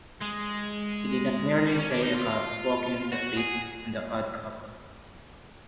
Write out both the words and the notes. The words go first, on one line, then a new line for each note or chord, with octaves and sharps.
He did not merely play a cop walking the beat on 'The Odd Couple'.
G#3
G3
C#4
D4
D#4
F4
F#4
G#4